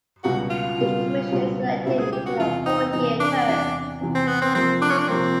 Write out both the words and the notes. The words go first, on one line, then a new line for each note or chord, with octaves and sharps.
Each commissioner is elected to a four-year term.
C#2 B2 G3 F#4
F4
C#2 B2 G3
C#2 B2 G3
C#2 B2 G3 E4
G#4
G4
F#4
E2 C3 E3 F4
D#4
E2 C3 E3 D#4
D4
E2 C3 E3
E2 C3 E3
C4
B3
C4
C3 F3 A#3 C4
D4
C#4
D4
C3 F3 A#3 C4